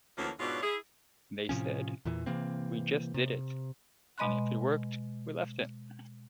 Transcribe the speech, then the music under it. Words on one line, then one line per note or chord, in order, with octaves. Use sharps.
They said, 'We just did it, and if it worked, we left it.
D2 D3 E3 F3 A#3 C#4
G#2 B2 D4 F4 C#5
E4 G#4
A2 C3 F3 C#4
E2 A#2 E3
C3 E3 A#3 C4
C3
B2 G#3 D#5 B5 C6 F#6